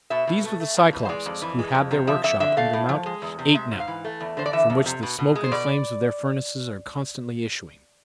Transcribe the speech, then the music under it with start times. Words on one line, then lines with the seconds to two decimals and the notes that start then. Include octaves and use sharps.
These were the Cyclopes, who have their workshop under Mount Aetna, from which the smoke and flames of their furnaces are constantly issuing.
0.10 B2 E5
0.27 B2
0.44 A3
0.60 A3
0.77 F2
0.93 E3
1.05 C5
1.09 G#3 D5
1.26 F2
1.42 E3
1.59 G#3
1.75 F2
1.91 C3
2.07 F3 E5
2.24 F2 E5
2.40 D3 E5
2.57 A3 F5
2.73 A2
2.89 F3
3.06 G#3
3.22 E2
3.39 C3
3.55 G#3 E5
3.72 G#2
3.80 F5
3.88 E3
4.04 A3
4.21 E2
4.37 D3 C5
4.46 D5
4.53 E3 E5
4.70 F2
4.86 C3
5.03 B2
5.19 B2
5.35 G#3
5.44 C5
5.51 B2 D5